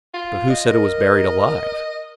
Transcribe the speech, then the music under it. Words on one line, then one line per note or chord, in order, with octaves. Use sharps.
"But who said it was buried alive?"
F4
D#5
A#4